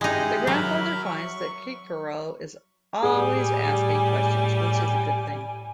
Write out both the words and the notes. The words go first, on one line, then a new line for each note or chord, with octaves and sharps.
The grandfather finds that Kirikou is always asking questions, which is a good thing.
G#3 D#4 E4 G4 G#4
F#3 A#4 E5 B5
C#6
A2 G3 G#4 G#5